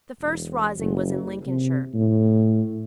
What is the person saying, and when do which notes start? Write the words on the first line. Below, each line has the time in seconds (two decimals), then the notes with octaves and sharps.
The first rising was in Lincolnshire.
0.20 E1
0.78 F#1
1.46 C3
1.94 A2